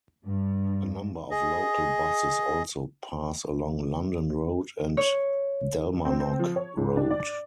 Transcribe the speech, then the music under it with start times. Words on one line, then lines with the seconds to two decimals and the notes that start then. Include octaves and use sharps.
A number of local buses also pass along London Road and Dalmarnock Road.
0.25 G2
1.31 G#4 D#5
4.97 C#5
6.05 C4
6.39 F3
6.56 C#5
6.77 G#2
6.97 D4
7.10 D5